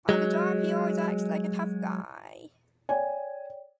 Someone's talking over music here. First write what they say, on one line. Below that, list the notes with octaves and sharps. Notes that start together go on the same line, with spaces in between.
On the job, he always acts like a tough guy.
F#3 G#3
C#5 D5 G5 G#5